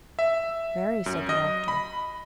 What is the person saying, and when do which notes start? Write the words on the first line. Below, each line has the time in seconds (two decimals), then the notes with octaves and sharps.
"Very," said the doctor.
0.19 E5
1.06 F#2
1.29 D#5
1.68 B5